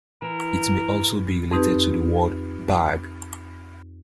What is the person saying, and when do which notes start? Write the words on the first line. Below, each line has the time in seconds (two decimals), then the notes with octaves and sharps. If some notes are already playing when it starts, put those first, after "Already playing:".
It may also be related to the word "bag".
0.22 E3 A#4
1.51 F2 C4 D#4 G4 B4